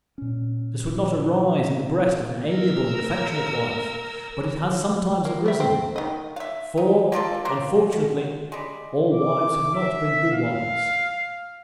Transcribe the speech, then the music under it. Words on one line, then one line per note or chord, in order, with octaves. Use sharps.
This would not arise in the breast of an amiable and affectionate wife, but it has sometimes arisen; for, unfortunately, all wives have not been good ones.
A#2 C#4
A#4 E6
A#3
G3 E5
C4
D#3 D#5
E5 F5
D#4
A#3 D4 F4 A4
C3 A#3 C4
B2
G3 G#3
D6
E5
F5